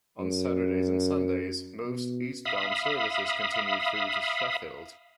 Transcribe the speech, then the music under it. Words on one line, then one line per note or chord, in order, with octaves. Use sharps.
On Saturdays and Sundays, most eastbound services continue through to Sheffield.
F#2
B2
E5 F5 B5 D#6